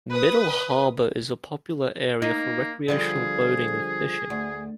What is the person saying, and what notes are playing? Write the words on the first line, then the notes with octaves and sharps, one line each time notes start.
Middle Harbour is a popular area for recreational boating and fishing.
B4 D#6
A#3 D#4
D3 F3 G3 G#4
D2